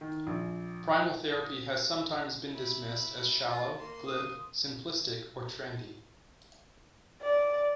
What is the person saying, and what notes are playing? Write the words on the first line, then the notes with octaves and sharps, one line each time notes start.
Primal therapy has sometimes been dismissed as shallow, glib, simplistic, or trendy.
D#3
A#1
D#6
E4 B5
F4 D#5
A#3 C6
D#6
D5